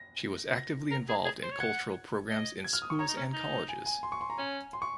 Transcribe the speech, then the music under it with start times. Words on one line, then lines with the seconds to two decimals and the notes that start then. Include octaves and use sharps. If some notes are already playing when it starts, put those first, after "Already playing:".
She was actively involved in cultural programmes in Schools and Colleges.
Already playing: A#6
0.56 A#6
0.91 A#4
1.09 G#4
1.25 G#4
1.43 C5
1.51 C#5
1.60 F#5 G#6
2.29 D#5
2.64 G#6
2.73 F6
2.82 D#6
2.90 C#6
2.99 C#5 A#5
3.08 D#4
3.17 C#4
3.34 D#4
3.69 G#5
3.86 G#5
4.03 C6
4.12 C#6
4.21 C6
4.30 A#5
4.38 C#4 G#5
4.73 C6
4.82 C#6